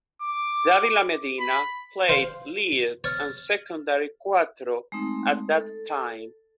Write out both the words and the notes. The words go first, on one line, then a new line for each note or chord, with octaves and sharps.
Davila Medina played lead and secondary cuatro at that time.
D6
B5
C5 F5
C#5 F6 A6
G#3 A3 C4 D#4
A4